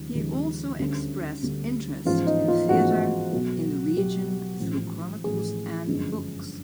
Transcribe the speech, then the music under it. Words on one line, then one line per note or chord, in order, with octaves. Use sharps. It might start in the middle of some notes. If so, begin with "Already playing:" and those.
He also expressed interest in theatre in the region through chronicles and books.
Already playing: D#2 C#3 F3 G#3
D#2 C#3 F3 G#3
D2 D3 G3 C#4
D2 D3 G3
A1 G#2 F3 G#3 F4
D#4
F4
A1 G#2 F3 G#3 F#4
B1 B2 F#3
B1 B2 F#3 G4
A1 A2 F3
A1 A2 F3 G#4
G1 F#2 D3 F3 G#3